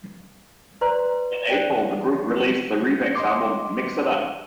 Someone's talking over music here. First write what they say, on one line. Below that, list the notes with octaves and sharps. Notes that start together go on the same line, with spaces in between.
In April, the group released the remix album "Mix It Up".
B4 C5 D5 A#5 C6
C5 D5 G5
D#5 C6 D6